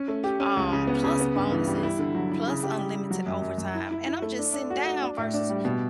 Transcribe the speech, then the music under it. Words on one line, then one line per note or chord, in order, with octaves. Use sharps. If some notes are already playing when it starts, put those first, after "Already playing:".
um, plus bonuses, plus unlimited overtime, and I'm just sitting down versus
Already playing: C#4
A3
G4
C#4
C#2
C#3
B3
C#3
B3
G2
E3
G3
E4
D3
F#3
E4
C#3
G4
G3
G3
F#3
F#2
F#2
F#2
E4
E4
E4
A3
D4
D4
F#4
F#4
D4
A2
D4
G3
B2